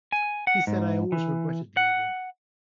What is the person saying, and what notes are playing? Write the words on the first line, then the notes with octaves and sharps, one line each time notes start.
He said I always regretted leaving.
G#5
F#5
G#2
E3
F#5